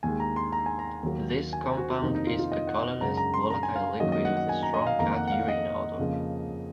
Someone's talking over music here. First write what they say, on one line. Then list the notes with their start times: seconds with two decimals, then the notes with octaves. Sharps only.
This compound is a colorless, volatile liquid with a strong cat urine odor.
0.03 D#2 D#3 G#3 G#5
0.20 A#5
0.36 C6
0.52 A#5
0.66 G#5
0.79 A#5
1.03 D#2 D#3 F#3 A#3
1.53 G#5
1.64 C5
1.77 F#4
1.90 F#4
2.01 F2 C3 D#3 A#3 D#4
2.15 D#4
2.27 F4
2.39 F4
2.52 D#5
2.67 F#5
3.01 F#2 C#3 G#3 A#5
3.17 A#5
3.34 C6
3.50 A#5
3.63 G#5
3.76 F5
4.00 F#2 D#3 F#3 A#3 D#5
4.12 D#5
4.25 F#5
4.37 F#5
4.49 G#5
4.63 A#5
4.74 D#5
4.87 F5
4.99 F2 D#3 A#3 A#5
5.16 F#5
5.27 F#5
5.32 F5
5.48 D#5
5.99 F2 C#3 F3 A#3